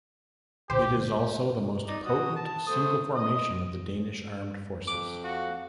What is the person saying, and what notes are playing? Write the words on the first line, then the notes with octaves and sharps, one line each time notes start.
It is also the most potent single formation of the Danish armed forces.
C2 A#2 D3 G4 C5
D#4 D5
F#4 D#6
A5
A3 C5 D#6
D#5 D#6
F2 D6
F#4 F5